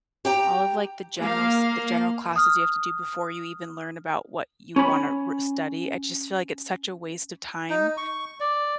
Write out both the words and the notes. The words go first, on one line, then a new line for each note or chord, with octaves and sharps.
all of, like, the general s the general classes you have to do before you even learn about what you want to r study, I just feel like it's such a waste of time,
G4 G5 A#5
A#3 F5
D#6 F6
C#4 B5
D#4
C#6
D5